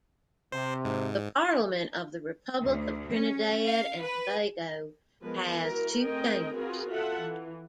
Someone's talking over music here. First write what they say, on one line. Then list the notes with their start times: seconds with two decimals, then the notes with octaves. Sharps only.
The Parliament of the Republic of Trinidad and Tobago has two chambers.
0.52 C3 C5
0.85 G#2
2.62 D2
3.12 C#4
3.66 F5
4.02 B4
5.23 F3 G#3 B3 A#4 B4
5.63 E4 F#4 A#4
6.01 A3 C4 G#4 A#4 D#5 G5
6.55 C4 F4 F#4 G#4 A#4 B4
6.89 F4 A4 E5 F#5
7.19 E3